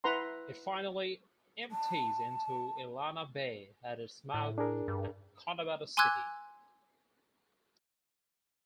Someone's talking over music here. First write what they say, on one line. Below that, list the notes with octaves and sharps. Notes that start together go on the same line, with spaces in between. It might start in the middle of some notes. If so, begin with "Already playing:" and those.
It finally empties into Illana Bay at its mouth at Cotabato City.
E4 B4 F#5 A#5 C6
A5
A2
D4 G#4 A#4
G2
G#5 C6 D6 E6 F#6 G#6